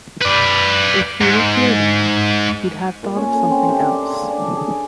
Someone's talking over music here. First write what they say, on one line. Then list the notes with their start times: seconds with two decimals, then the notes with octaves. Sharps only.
If he were here now, he'd have thought of something else.
0.22 B4 D5
1.21 G#2
3.03 A#2
3.16 C#4
3.33 A4
3.51 C4
3.69 C3
3.80 D4
4.01 C6
4.13 C#3
4.30 D4
4.45 A4
4.57 G#4
4.70 D5